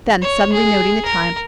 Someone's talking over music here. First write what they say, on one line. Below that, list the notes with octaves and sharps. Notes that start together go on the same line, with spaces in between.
Then, suddenly noting the time.
C#5
G#4
A#4